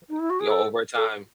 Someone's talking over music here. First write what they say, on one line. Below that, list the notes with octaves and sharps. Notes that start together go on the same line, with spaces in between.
Right, yeah, over time.
D#4
E4
F#4
G#4
A4
A4